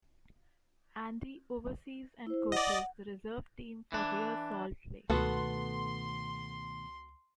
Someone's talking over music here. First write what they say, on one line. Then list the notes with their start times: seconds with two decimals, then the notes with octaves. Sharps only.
Andy oversees and coaches the reserve team for Real Salt Lake.
2.27 E4 C5
2.52 D5 D#5 F#5
3.92 E3 D4
5.10 C#2 B2 D#3 A3 B3 F#4 A4 C6